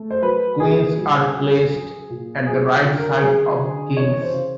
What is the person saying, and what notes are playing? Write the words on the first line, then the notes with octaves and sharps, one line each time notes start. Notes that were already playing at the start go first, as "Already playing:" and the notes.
Queens are placed at the right side of kings.
Already playing: A3
C5
F#3 B4
A#2 G#4
G3
G3
F#3
A#2
F#3 G#4
D3
A#4
F#3 G#4
D3
E3 C#5
C5
C#3